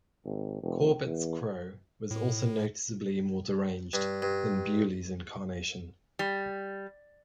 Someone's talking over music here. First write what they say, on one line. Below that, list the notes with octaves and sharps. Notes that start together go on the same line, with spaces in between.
Corbett's Crow was also noticeably more deranged than Beaulieu's incarnation.
G#1
F1
E2
A2
G2
G2
G3